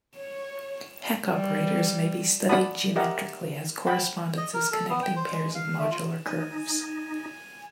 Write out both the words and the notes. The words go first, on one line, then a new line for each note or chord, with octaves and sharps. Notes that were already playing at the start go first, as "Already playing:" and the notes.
Hecke operators may be studied geometrically, as correspondences connecting pairs of modular curves.
C#5
G3
D5 F#5 A5 B5 D#6
G4 A#4 D#5 E5 F#5
F#5 G5 B5
D#5
A#4
A4
B3
G5
C5
G#3
F5
A3
F4
D#4 G#5